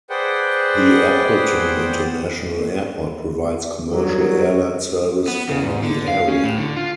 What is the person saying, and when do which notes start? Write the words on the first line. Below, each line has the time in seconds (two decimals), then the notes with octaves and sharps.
The Appleton International Airport provides commercial airline service for the area.
0.10 G#4 B4 C5 D5 F#5 G5
3.91 G2 F#3 A#4
5.28 B3
5.49 C#3
5.63 G#2
5.83 D3
6.08 F5
6.28 C#4
6.44 A2
6.58 D3
6.77 F4